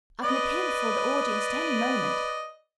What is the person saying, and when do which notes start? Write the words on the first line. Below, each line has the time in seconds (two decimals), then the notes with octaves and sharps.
I can appear before the audience at any moment.
0.23 B4 D5 D#5